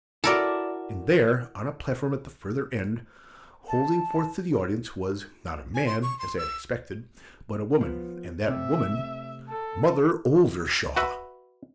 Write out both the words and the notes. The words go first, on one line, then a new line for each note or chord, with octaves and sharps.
And there, on a platform at the further end, holding forth to the audience, was--not a man, as I had expected--but a Woman, and that woman, MOTHER OLDERSHAW!
E4 F#4 A4 A#4 D5
A5
G#5
C6
C#6
C6
E6
F3 B3
C3 A3 E5
A4
F#4 B4 E5